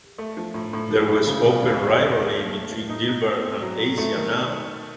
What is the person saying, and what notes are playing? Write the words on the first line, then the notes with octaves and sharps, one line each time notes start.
There was open rivalry between Gilbert and Asia now.
A3
F3
A2
A2
F3
A2
C#3
C#3
D#2
F#3
D#2
A#3
A3
A3
F3
D#4
D#4
A3
C4
F#3
F#3
A3
D#3